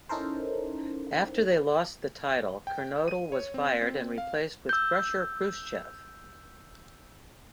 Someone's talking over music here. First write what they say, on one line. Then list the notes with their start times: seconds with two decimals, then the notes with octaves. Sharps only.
After they lost the title, Kernodle was fired and replaced with Krusher Khruschev.
0.09 C#4 D#4 E4 A4 A#4 C5
2.67 G5
3.08 D#7
3.32 C#5
3.54 C4
3.82 C4
4.18 F5
4.69 E6 G6